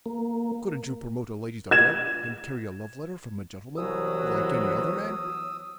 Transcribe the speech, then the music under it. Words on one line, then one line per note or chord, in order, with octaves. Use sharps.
Couldn't you promote a lady's affair and carry a love letter from a gentleman, like any other man?
A#3
G#6 E7
C2 E3 F#3 B3 D#6 E6